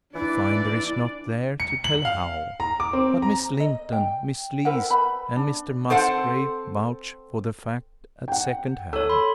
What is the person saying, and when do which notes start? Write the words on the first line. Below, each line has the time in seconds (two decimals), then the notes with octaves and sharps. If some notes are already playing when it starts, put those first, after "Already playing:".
The finder is not there to tell how; but Miss Linton, Miss Lees, and Mr Musgrave, vouch for the fact at second hand.
0.15 E3 D4 E4 D5
1.60 C#7
1.84 F#7
2.05 F5
2.60 A#5
2.80 D6
2.93 C4
3.22 A#5
3.60 D#5
3.92 G5
4.65 E4 A#4 C5 F#5
4.90 B4 B5
5.36 D4
5.90 C4 A4 C5 F#5
8.28 F#5 G5
8.93 A4 C#5 E6
9.09 B5 C6